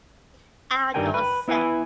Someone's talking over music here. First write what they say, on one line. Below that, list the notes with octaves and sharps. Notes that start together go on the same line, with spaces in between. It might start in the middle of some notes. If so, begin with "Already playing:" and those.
Outdoor set.
G2 D#3 G3 A#4 G5 G#5
B4
B3 E4 B4 F#5 G#5